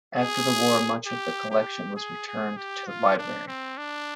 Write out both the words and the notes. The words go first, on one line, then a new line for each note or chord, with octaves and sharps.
After the war much of the collection was returned to the library.
G#4
G4
G4
G#4
G#4
G4
F4
D4
C4
D4